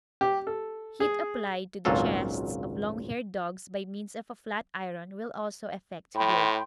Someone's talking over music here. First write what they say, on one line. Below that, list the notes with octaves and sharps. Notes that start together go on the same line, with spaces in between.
Heat applied to the chests of long-haired dogs by means of a flat iron will also effect good.
G4
A4
G#4
G#1 C#2 A#2 F#3 F4 A4
A2 G5 B5 C6